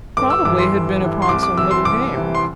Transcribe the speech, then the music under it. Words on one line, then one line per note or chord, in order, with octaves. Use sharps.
Probably had been upon some little game.
G1 D6
E6
G2 E3 D6
C6
G1
G2 E3
C6
C2 D6
D6
C3 E3 E6
C6
C2 D6
C3 E3
C6